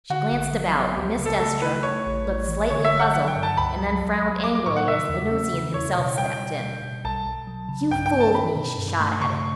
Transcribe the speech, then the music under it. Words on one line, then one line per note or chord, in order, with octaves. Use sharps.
She glanced about, missed Estra, looked slightly puzzled, and then frowned angrily as the Venusian himself stepped in: "You fooled me!" she shot at him.
D3 F#4
A1
F#3
B3
C#2 G4
C#3
A4
A3 A4
E4 B4
A3 C#5
A1
A1
E3
D3 C#5
E5
D3
F#5
F#3 F#5
G5
G2
A5
C#2 B5
F#3
B1
F#3
G3 D6
D6
A2 C#6
F#5
C#3 E5
E2
C#4
C#3
E4 C#5
B2
G3 G5
G3
G3
B2
B1 A5
B1
F#3
C#3
G2 G5
G5
B3
A5
C#4 B5
B2
G2
A3
C#3 C#6